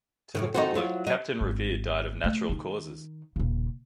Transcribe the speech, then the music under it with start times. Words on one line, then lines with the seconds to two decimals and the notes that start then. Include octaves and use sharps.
To the public, Captain Revere died of natural causes.
0.35 F#2 A2 C#3
0.54 F2 C4 D#4 F#4 A4 C5
0.75 F#3 E4 F4 C5
1.07 F#3 C#4 D#5
1.41 G#1
2.24 A3
2.49 D#3 D#4
3.36 D#1 C#3